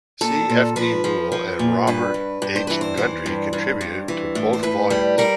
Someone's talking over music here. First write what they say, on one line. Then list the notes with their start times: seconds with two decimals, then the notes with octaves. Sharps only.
C. F. D. Moule and Robert H. Gundry contributed to both volumes.
0.21 A#2 A4
0.50 A#2
0.76 F3 B4
1.04 F3
1.32 F3
1.59 A#2
1.87 G2 B4
2.14 G2
2.42 G2
2.56 C5
2.67 E3 B4
2.81 C5
2.97 E3
3.26 G2
3.53 G2
3.81 G2
4.08 E3
4.35 A2
4.53 C5
4.63 A2 B4
4.90 G3
5.18 G3 A#4